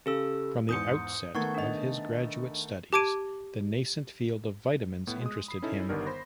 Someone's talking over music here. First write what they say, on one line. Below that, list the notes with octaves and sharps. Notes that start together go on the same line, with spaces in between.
From the outset of his graduate studies, the nascent field of vitamins interested him.
C#3 G4 A4 E6
E2 G#2 D#6 G6 C#7
D#3 A3 B3 F#5 C#6 G#6
D4 D#5
G4 A5 D6 G#6 D7 D#7
A2 B3
G#3 D#6
B5 C7
C#4 D#4 E4 A4
G1 D#3 G3 B3 D4 A#4
C5 B5 C6 A#6